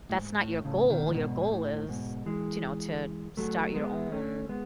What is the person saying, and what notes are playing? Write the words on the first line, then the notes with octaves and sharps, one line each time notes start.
that's not your goal. Your goal is, to know, to start your own
A2
G#2
A2
A2 C#3
B2 D#3
A2
G#2 B2
B2
A2
G#2 B2
E3 G#3
F#3 A3
G#3 B3
A3 C#4
G#3 B3